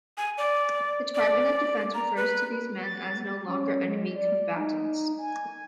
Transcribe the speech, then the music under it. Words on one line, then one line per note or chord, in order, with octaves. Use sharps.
The Department of Defense refers to these men as No Longer Enemy Combatants.
G#5
D5
D5
A#5
B4
A6
C#4
G#3
D5
D#4
G#5